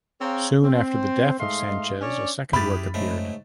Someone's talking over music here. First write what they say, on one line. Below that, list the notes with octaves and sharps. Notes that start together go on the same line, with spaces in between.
Soon after the death of Sanchez a second work appeared.
C4 G#4 C#5 F5 G5 A#5
C4
G#2 G#3 A3 D#5 F5 C6
C#4 D4 C#5 D5
F#2 E4 G4 G#4 B5 A6
G#2 C#3 A3